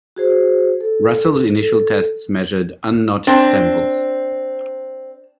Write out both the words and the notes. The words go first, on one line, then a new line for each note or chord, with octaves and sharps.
Russell's initial tests measured un-notched samples.
F#4 G#4 C5
A4
A4
C4 D4